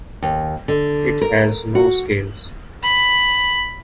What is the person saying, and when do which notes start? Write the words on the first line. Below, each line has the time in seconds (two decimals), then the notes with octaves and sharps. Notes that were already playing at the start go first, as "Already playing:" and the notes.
It has no scales.
0.22 D#2
0.68 D3
1.21 A#4
1.75 F#4
2.83 B5